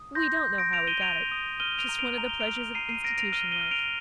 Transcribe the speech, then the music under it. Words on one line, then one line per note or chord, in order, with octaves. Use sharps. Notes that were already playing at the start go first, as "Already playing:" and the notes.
We don't know how we got it--just one of the pleasures of institution life.
Already playing: D#6
C6 G6 A#6
G6
A#6 D7
G6 D7 F7
D#7 G7
G6 D7 F7
D#6
F6 D#7 G7
D7 F7
A#5
D7 F7
A#5 F7
G7
D7 F7
F6
A#5 C7 D#7
C7 D#7
F6 A#6 D7
D7 F7
F6 D#7 G7
D#7 G7
F6
D7 F7